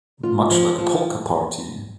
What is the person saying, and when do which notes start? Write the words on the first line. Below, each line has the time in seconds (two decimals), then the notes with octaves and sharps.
Much like Polka Party!
0.23 F4
0.51 F3
0.78 F3